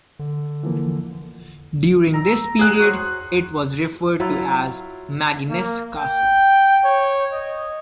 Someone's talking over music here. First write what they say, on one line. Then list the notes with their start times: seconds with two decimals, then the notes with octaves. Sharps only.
During this period it was referred to as Magennis Castle.
0.19 D3
0.63 E3 F3 A#3
2.12 G5 A#5 E6
2.59 G#4 F#6
2.79 F#4 C5 C#5
4.20 F#3 E4 F4
5.50 A#3
5.98 G5
6.84 C#5
7.33 D#5